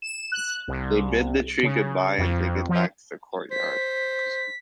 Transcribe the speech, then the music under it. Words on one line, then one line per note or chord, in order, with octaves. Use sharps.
They bid the tree goodbye and take it back to the courtyard.
E7
F#6
C2
C#3
F2
F3
C5 B6